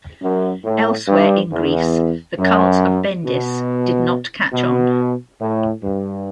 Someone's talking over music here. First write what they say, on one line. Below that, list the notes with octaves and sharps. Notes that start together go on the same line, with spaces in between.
Elsewhere in Greece, the cult of Bendis did not catch on.
F#2
A2
G2
E2
F#2
B2
B2
A2
G2